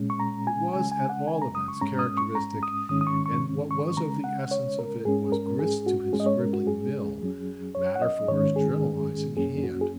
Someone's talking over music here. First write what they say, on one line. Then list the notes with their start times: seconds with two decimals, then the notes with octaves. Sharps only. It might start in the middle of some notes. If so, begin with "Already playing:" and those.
It was at all events characteristic, and what was of the essence of it was grist to his scribbling mill, matter for his journalising hand.
Already playing: A#2 G#3 C#4
0.10 C#6
0.20 A#5
0.47 G#5
0.73 C#3 G#3 C#4 G#5
0.92 G#5
1.09 F#5
1.27 G#5
1.42 A#5
1.55 D#6
1.68 C#6
1.81 G#2 G#3 C#4 A#5
1.99 D#6
2.18 C#6
2.35 A#5
2.63 D#6
2.89 G#2 D#3 G#3 C#4 D#6
3.01 D#6
3.07 C#6
3.26 C#6
3.71 C#6
3.97 C#3 G#3 C#4 A#5
4.24 F#5
4.51 C#5
4.79 A#4
5.05 G#2 G#3 C#4 G#4
5.32 A#4
5.59 G#4
5.87 F#4
6.13 G#2 G#3 C#4 G#4
6.20 D#5
6.26 C#5
6.40 A#4
6.53 F#4
6.67 G#4
7.21 F#2 F#3 C#4
7.75 C#5
7.96 F#5
8.02 D#5
8.28 G#2 D#3 G#3 C#4 C#5
8.56 G#4
9.37 F#2 F#3 A#3 C#4 G#4
9.64 F#4
9.81 G#4